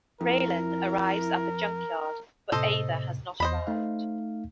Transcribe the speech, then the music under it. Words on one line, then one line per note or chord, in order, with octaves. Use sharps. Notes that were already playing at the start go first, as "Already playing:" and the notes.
Raylan arrives at the junkyard but Ava has not arrived.
F2 E4 A#4
A2 C3 A4 C5 D#5
E2 C5 D#5 B5
A3 D#4 F5